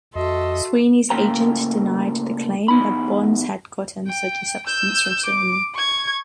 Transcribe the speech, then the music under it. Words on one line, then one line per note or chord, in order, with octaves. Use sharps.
Sweeney's agent denied the claim that Bonds had gotten such a substance from Sweeney.
F2 F#4 A4 D#5 E5 C6
A2 C#3 A#3 G5 A#5
E2 D#4 B5
G5
E6 G6
D6
C#6 G#6